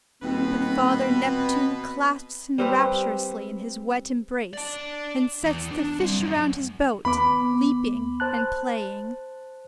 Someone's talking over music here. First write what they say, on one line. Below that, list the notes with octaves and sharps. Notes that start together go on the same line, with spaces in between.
But Father Neptune clasps him rapturously in his wet embrace, and sets the fish around his boat leaping and playing.
D#1 B2 C4 B4
G3 C4 B4
D5 A5
E2
D4
G3 C4
F#2
D#2 B3 B5 D6
C5 A5 F#6